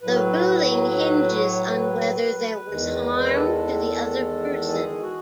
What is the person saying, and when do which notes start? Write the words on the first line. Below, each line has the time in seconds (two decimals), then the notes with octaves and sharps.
The ruling hinges on whether there was harm to the other person.
0.03 A2 F#3 B4
1.36 C#5
1.69 B4
2.69 E2 D#3 G#3
3.35 A4
4.68 G#4
5.01 F#4